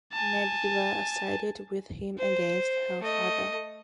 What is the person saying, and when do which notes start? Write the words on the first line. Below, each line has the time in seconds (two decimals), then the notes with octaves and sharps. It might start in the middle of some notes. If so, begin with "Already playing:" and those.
Nebula sided with him against her father.
0.13 G#5 A5
2.19 C5
3.01 A3 D#5